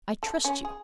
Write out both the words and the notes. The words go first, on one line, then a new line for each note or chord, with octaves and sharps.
I trust you.
A4
C#4
G#4